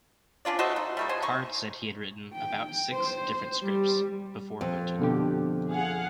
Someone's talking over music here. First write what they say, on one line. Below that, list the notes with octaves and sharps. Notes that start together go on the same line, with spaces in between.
Card said he had written "about six" different scripts before Hood took over.
C#4 D4 F4 D5
A3 F#4 C5 D#5
D#4
G3 A3 A#3
C5 D#5 G#5
D#4 C#6
G5
C5
G3
F2
B2 D3 G4
G#4 F5 F#5